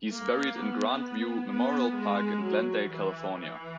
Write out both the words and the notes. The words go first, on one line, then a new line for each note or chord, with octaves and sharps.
He is buried in Grand View Memorial Park in Glendale, California.
A#3
B3
B3
G#3
F#3
E3
E3